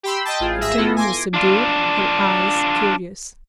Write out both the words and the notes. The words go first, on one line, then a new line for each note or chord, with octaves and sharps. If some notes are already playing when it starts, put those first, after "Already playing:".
Her tone was subdued, her eyes curious.
G4 G5 B5 C6 E6
D#5 G5 A5
A1 F4 G#4
G#2 G#4 E5 E6 A#6
B3 E4 F4 A4
G#5 C6 D6 A#6
D4 F4